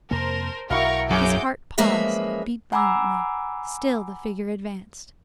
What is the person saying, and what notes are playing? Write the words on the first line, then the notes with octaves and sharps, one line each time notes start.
His heart paused--it beat violently--still the figure advanced.
F2 C3 A#3 A#4 C5 A5
B1 E4 F#4 A#4 F5 G5 C#6
F#2 F#4 G#4 D6 G6
F#2 F3 G#3 A#3 B4 E5
F#5 G#5 A#5 B5 D6 E6